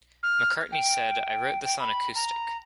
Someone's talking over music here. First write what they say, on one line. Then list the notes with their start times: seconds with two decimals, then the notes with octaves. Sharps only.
McCartney said, I wrote this on acoustic.
0.23 F6
0.72 G5
1.65 G5
1.79 B5
2.15 A#5